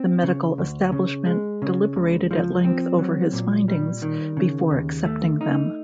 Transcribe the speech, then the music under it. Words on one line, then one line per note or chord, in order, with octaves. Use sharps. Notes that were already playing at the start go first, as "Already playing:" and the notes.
The medical establishment deliberated at length over his findings before accepting them.
Already playing: C4
C#3
D2
C#3
G#3
C#3
C#2
F3
C4
F#3
A#2
G3
D#3
C#3
D#2
A3
D#4